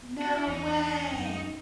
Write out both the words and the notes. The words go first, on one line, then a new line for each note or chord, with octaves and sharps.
No way.
F#4
E4
E2 D#4
F#2